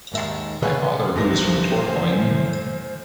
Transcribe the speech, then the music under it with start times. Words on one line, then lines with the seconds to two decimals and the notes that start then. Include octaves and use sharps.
My father who was from Tourcoing...
0.12 D#2 G#2 D#3 E5 A5
0.63 D#3 G#4 B4 C#5
1.16 G1 C2 C3 C5 A#6
1.87 F#2 A2